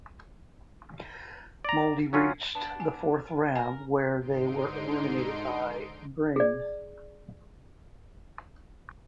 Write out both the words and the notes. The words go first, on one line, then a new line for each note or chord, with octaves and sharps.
Molde reached the fourth round where they were eliminated by Bryne.
D5 A#5
F#3 C#4 F4
B3 D4 A5
G#5
A#4 G#5
G#2 D3 D#4 C6 D7
G#4 D5